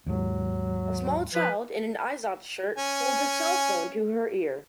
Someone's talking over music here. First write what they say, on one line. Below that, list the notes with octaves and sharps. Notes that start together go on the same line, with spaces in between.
A small child in an Izod shirt holds a cellphone to her ear.
D#2 G#2 F#3
F3 B4
C#4 G#5